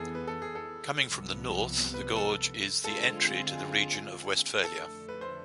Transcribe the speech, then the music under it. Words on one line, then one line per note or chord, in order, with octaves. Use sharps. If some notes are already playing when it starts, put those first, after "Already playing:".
Coming from the north, the gorge is the entry to the region of Westphalia.
Already playing: F2 E3 B3 G#4 A4
B4
A4
G#4
A4
C2 C3 F3 B3
B4
A4
D3 G#3 C4 F4 G#4 A4
F2 D3 A3 A4
B4
C5